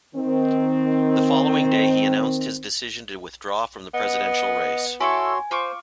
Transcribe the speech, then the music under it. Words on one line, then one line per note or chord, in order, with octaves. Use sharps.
The following day he announced his decision to withdraw from the presidential race.
D#3 C4
B3 D#5
E4 F#4 A4 C#5 G#5 C6 C#6
F4 C5 C#6 D6